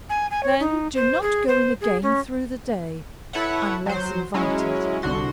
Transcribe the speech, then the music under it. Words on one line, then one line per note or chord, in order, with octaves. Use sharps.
Then do not go in again through the day, unless invited.
G#5
G#5
C#5
D#4
C5
G#4
C5
G#4
C#4
E4 A4 B4 C#5 E5 F#5
F#3 C5
F#3 G#3 C#4 E4
C2 D3 F#4 C6